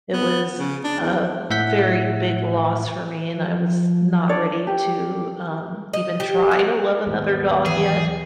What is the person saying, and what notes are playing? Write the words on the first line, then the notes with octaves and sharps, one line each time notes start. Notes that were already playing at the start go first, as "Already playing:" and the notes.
it was a very big loss for me, and I was not ready to, um, even try to love another dog yet.
B3
C#3
D4
E2
A2 E5 F#5 G6 B6
F3
D4 C#5 D5 D6
G4
D#5
G4
F#4
D#2 G#2 B2 B3
E3 F#3 A#3 G#4